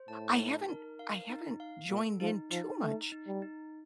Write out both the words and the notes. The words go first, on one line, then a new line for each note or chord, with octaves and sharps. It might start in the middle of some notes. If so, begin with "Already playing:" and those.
I haven't I haven't joined in too much
Already playing: C5
A2 A5
D#4
A#4
F5
D#4
F5
A#2 A4
F3 D#4
F3 D#4
A3 D#4
D#4
G3
D#4